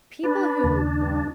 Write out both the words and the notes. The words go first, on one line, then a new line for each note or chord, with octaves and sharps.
people who
D4 B4
D#2 C#3
G2